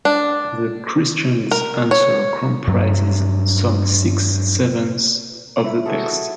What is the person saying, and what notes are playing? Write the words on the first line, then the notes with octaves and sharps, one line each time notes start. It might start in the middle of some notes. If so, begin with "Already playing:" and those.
The Christian's answer comprises some six sevenths of the text.
D4
A#4
C#5
G2 F#3
E4
F#4 G#4 A4